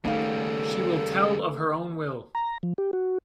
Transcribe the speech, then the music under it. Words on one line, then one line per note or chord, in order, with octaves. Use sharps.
She will tell of her own will.
D#1 C#3 G3 A3 D#4 A4 F5
A#5
F3
G4
F#4